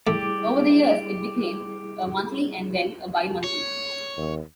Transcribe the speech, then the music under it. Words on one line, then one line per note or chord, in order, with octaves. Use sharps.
Over the years it became a monthly and then a bi-monthly.
G3 A3 E4 G4 G#4 D5
C#5
D#2